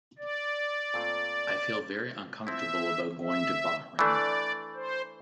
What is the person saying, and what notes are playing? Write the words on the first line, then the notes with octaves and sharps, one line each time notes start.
I feel very uncomfortable about going to Bahrain.
D5
A#2 A3 C4 F4
F3 C4 E4 E5
E5
E3 A3 D4 D5
C5